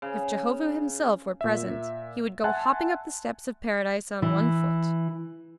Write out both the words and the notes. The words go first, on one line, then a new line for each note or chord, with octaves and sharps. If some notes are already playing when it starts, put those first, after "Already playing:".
If Jehovah himself were present, he would go hopping up the steps of paradise on one foot.
C#3
A#2 E5
E5 F#5 G#5 A5 C6 F#6
E3